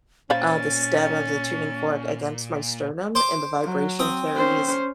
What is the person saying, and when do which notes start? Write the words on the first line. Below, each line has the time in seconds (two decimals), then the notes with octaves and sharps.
uh, the stem of the tuning fork against my sternum and the vibration carries,
0.30 A#2 C#4 C5 F5 B5 A6
3.15 C5 C6 D6
3.64 F#3
3.99 C4 D#6
4.36 C#4 C5